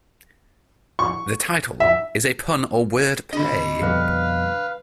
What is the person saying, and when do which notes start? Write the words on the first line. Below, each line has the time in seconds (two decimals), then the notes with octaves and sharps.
The title is a pun or word play.
0.99 C#6
1.80 E5
3.33 D3 D#5 B5
3.82 F2 B2 G3 B4 F5